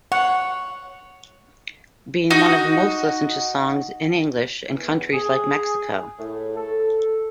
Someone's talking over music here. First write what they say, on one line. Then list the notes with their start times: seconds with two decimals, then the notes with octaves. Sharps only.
Being one of the most listened to songs in English in countries like Mexico.
0.12 C#5 F#5
2.30 D#4 F#4
4.68 E2
5.13 G#4
6.19 A2
6.56 A4